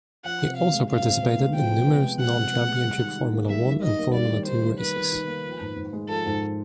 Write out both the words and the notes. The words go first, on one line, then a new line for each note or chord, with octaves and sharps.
He also participated in numerous non-Championship Formula One and Formula Two races.
F3 F#5
C3
B3 F5
G#3
F3 F5
C3
B3
G#3
F3 G5
C3
B3
G#3
F3 F#5
C3
B3
G#3
G3
D#3
D#4
A#3
G3 E5
D#3
D#4 D#5
A#3
G3 D5
D#3
D#4 C5
A#3
G3 B4
D#3
D#4
A#3
F3
G#2
G#2
G#3
F3 A4
G#2